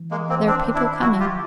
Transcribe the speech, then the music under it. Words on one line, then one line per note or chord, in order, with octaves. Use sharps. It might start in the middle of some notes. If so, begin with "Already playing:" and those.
There are people coming....
Already playing: E3
G#3 A#3
A#3 C4
D#3 C4 D4
D4 E4
F3 E4 F#4
F#3 F4 G4